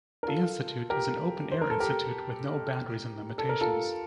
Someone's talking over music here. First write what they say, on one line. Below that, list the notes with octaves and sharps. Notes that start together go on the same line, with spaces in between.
The institute is an open-air institute with no boundaries and limitations.
A#4
F4 A4
G4 A#4
C5
A#4
A4
G4 A#4
A4
A#4
F4 A4